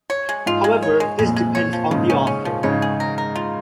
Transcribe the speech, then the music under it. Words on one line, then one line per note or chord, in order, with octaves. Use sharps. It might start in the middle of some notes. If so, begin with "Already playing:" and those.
However, this depends on the author.
C#5
G#3
G#2 F4
G#3
C#5
G#3
F2 A#2 G#3
G#3
C#5
F3
G#2 C#3 F3
C#4
C#4
F3
G#2 C#3 C#5
G#4
A#4
A#4
F4